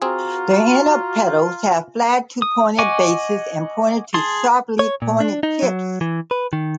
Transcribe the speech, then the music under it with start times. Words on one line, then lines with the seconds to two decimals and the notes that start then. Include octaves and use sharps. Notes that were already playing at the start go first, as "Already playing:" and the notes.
The inner petals have flat to pointed bases and pointed to sharply pointed tips.
0.02 C4 F4 F#4 G#4 A#5
2.42 D#6
2.79 D#5 F#5 G#5 C#6 D6
4.14 G#4 A5 C6
4.79 C#5
5.02 A#2
5.20 D4
5.43 D#4
5.63 F#3
6.01 E3
6.31 B4
6.53 D#3